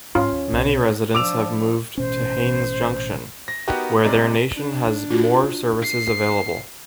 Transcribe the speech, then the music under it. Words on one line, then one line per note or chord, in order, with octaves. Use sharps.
Many residents have moved to Haines Junction, where their nation has more services available.
G#2 C#4 F4
D#2
B1 C4
F3 D4 D6 E6 F7
A1 B2 C#4 C5
A#6
B3 D#4 F#4 G4 A#4
C3 G#3 D5 A#5
D4
F4 F#4
C7